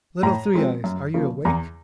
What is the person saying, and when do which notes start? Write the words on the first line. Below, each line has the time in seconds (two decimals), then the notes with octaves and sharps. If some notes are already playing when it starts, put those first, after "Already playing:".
'Little Three-eyes, are you awake?
0.23 A2 A#5
0.54 F3 G#3 C4
0.84 F#2
1.14 C#3 F3 A#3
1.45 E2 A#5